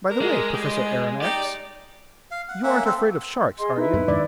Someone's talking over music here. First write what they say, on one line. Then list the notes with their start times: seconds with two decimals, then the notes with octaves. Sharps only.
"By the way, Professor Aronnax, you aren't afraid of sharks, are you?"
0.09 A#3 D4 A#4
0.22 G#3
0.54 A2 G4
1.22 D#4 G4 D5
2.31 F5
2.49 F#5
2.63 A#3 C#4 E5 F#5
2.85 C4 A4
3.58 G#4 D#5 C6
3.78 D#4 E4 B4
3.93 F#2
4.08 F2 G#2 D#3 D4 D5